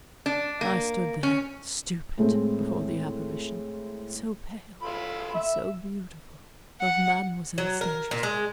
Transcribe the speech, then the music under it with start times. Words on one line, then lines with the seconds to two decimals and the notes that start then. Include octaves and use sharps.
I stood there, stupid, before the apparition--so pale and so beautiful--of Mademoiselle Stangerson.
0.26 D4
0.61 A#3
1.23 C#4
2.18 A2 G#3 A3 C4
4.82 F4 A4 B5
5.35 E5
6.81 F#5
7.58 F#3
7.81 A#4
8.11 A#2
8.23 G#3